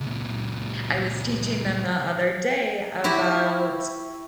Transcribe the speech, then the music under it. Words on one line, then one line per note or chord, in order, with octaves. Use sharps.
I was teaching them the other day about
C#2 A#2
E4 F#4 G4